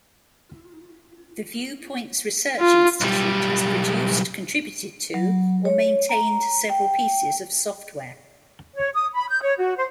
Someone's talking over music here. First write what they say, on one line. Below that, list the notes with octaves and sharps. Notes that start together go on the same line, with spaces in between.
The Viewpoints Research Institute has produced, contributed to, or maintained several pieces of software.
F4
B1 G3
F#3
C#5
A#5
G5
C#5
D#6
B5
G6
C#5
F#4
C5